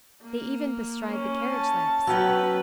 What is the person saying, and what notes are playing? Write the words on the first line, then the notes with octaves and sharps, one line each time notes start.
They even bestride the carriage lamps.
A#3
C#4
A5
F#3 C#4 B4 G5